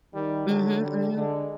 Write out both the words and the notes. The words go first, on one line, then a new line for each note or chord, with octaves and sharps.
Mhm, mhm.
D#3 G3
D3 F#3
G3
D3 G#3